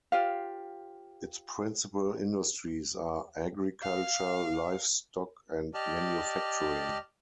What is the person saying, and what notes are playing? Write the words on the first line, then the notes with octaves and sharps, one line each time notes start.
Its principal industries are agriculture, livestock, and manufacturing.
F4 G4 C5 F5
F5
G4 D5 D#5 A5 F6